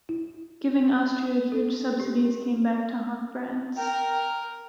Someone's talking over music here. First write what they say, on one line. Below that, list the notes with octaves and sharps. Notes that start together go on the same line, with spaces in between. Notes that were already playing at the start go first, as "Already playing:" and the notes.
Giving Austria huge subsidies came back to haunt France.
E4
A4
G4
A#4 G5